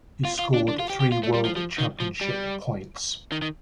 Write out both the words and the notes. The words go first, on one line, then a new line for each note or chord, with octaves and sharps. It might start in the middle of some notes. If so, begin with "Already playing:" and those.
He scored three World Championship points.
F4
F4
D4
D4
F4
G4
G4
F4
A3
G3
F3
F3
D#3
F3
G3
D#3
D#3